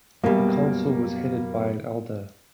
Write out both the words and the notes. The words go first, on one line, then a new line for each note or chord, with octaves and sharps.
The council was headed by an elder.
F#2 B2 G3 A#3